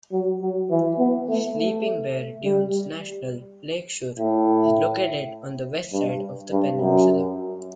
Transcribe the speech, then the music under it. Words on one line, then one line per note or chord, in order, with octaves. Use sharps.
Sleeping Bear Dunes National Lakeshore is located on the west side of the peninsula.
F#3
F#3
E3
B3
A3
A3
G3
A2
G2
G2
F#2